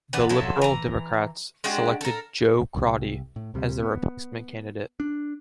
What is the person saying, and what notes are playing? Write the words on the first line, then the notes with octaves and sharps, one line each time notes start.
The Liberal Democrats selected Jo Crotty as their replacement candidate.
E3 B3 B4 D5
F3 F#3 E4 A4
E3 A#5
G#3 D4 F#4 G4
A4 A#4
C2
A2
D2 C3 G3
B3
D4